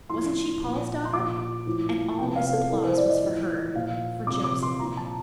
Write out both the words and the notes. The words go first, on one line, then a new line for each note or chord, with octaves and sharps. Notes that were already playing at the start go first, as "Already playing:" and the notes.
Wasn't she Paul's daughter! And all this applause was for her--for Josie.
A2 F3 C6
A#2 F3
C6
A#2 F3 D6
A2 F3
A5
C3 F3 G5
F5
A4
A2 F3 A#4
C5
D5
D#5
A2 F3
A#2 F3 F5
C3 F3 D6
D6
C6
A#2 F3 A#5
A5